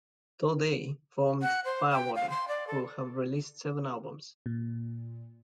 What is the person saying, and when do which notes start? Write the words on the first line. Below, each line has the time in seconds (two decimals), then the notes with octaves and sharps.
Tod A formed Firewater, who have released seven albums.
1.42 F#5
1.65 C5
1.92 G5
2.15 F5
2.30 C6
2.48 D5
2.67 A4
4.46 A#2